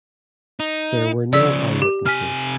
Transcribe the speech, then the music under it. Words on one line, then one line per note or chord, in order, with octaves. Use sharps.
There were no eyewitnesses.
D#4
C#3 F3 D5 E6 B6
G4
C3 G#5 F6 B6